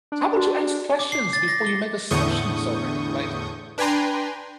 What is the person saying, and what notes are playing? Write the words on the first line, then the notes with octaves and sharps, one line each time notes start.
how about you ask questions before you make assumptions already, like
D4
F#4
D6
C7
A6
A#6
G7
E2 A2 D3 C#6 D#6 G6
D4 B4 G5 G#5 A#5 C6